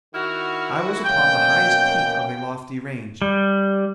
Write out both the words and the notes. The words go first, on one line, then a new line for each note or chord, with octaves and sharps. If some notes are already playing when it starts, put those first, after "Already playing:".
I was upon the highest peak of a lofty range.
D#3 E4 F#4 F6
F#2 B2 A#3 C#4 G5 G6
G3